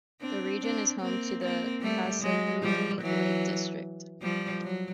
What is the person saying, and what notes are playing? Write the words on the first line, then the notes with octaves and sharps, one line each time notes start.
The region is home to the Kashubian Lake District.
C4 D4
C4 D4
A#3 C4
A#3 C4
G3 A3
F#3 G#3
F3 G3
E3 F#3
F3 G3
F#3